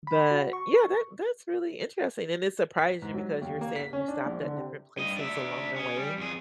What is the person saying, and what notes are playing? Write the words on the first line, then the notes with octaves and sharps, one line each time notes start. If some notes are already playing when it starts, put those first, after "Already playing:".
But, yeah, that that's really interesting, and it surprised you because you're saying you stopped at different places along the way.
B5
F#4
C#6
B6
G#2
F#3
D#2
A#3
B6
C#4
D4
A#1
D3
C3
G2 D#5
D4 E5
C#4 G#4
G3
F2 G#4